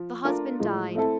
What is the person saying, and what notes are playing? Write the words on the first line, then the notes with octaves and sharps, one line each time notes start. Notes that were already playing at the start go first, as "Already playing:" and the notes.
The husband died.
Already playing: F3
A3 D4 F4 A#4
A2 F3 G#3
A3 C4 E4 A4